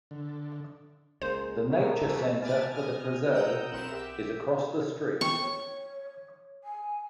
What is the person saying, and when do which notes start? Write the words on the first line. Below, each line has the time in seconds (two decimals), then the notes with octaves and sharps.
The nature center for the Preserve is across the street.
0.11 D3
1.22 C#2 G#3 A#3 C5
1.69 F2 A2 F#3 A#4
2.02 C2 A#2 C#3 E3 G3 A3
2.42 B4 D5 G#5 A5 F6 A6
2.72 D#5 G#5 F6
3.29 F#5 G5 A#5 D#6 E6 G6
3.70 B1 C4 E4 A#4 F#5 E7
3.91 G4 E5
5.21 G5 C#6
5.41 C#5
6.64 G#5